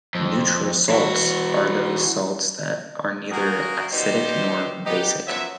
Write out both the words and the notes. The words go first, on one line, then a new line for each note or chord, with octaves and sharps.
"Neutral salts" are those salts that are neither acidic nor basic.
F2
E3 F#4
A#3 F#4 G#4 A#4
B2 F3 G3 D#4 G4 C5
B3 D#4 G4
F#2 F3 F#3 B3 E5